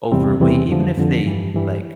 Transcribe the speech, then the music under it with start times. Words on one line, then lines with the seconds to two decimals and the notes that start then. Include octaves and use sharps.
overweight even if they, like,
0.12 E2 C3 E3 G3 C4
0.40 E2 C3 E3 G3 C4
0.69 F2 D3 F3
0.98 F2 D3 F3
1.26 G2 E3 G3
1.54 G2 E3 G3